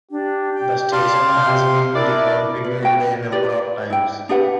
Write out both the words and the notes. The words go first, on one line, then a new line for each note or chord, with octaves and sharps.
The station has been reconfigured a number of times.
D4 G4
G5
D5 F5 A5 C6
C3 G5
D4 E4 A#4 D5
B4
F#4 G5
G4 B4 D5
E4 G5
D4 G4 B4 F#5